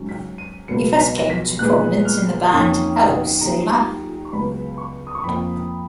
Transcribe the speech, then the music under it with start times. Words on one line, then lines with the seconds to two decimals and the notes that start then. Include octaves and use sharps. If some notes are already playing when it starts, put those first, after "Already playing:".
He first came to prominence in the band Hello Sailor.
Already playing: G#2 F#3 C#4
0.09 B6
0.38 D#7
0.68 C#2 B2 F#3 B3 C#7
0.99 B6
1.18 A#6
1.30 B6
1.59 A#2 G#3 B3 F#6
2.05 F6
2.50 F2 D#3 A#3 C#4 D#6
2.96 F#5
3.41 D#2 D#3 F#3 A#3 A#5
4.25 C#6
4.33 C#2 C#3 F#3 B3 B5
4.78 C#6
5.07 D#6
5.15 C#6
5.24 F2 F3 A#3 B5